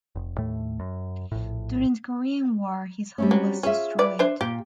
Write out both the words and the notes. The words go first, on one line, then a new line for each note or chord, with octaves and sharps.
During the Korean War, his home was destroyed.
F1
D#2 A2 A3
F#2
A#1 A2
G3 C4 C#4
F#3
C#4 F4 G#4 E5
B4 D5
D4 C5 E5
A#2 G4